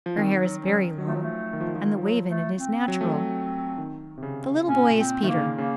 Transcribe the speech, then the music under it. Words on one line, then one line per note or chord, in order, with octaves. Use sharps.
Her hair is very long, and the wave in it is natural. The little boy is Peter.
F3
D#3 C4
F#3
F#3 C#4
F#3
F3 A3
F#3
A3
D#3
F3
D#3
F3
D#3
F3 F#3
A3
C4
F#3
A3
F#3
D#3
C3
C#3
A#2 C#4
A#2
C4
D#3 A3 A#3
C#3
C#3 A#3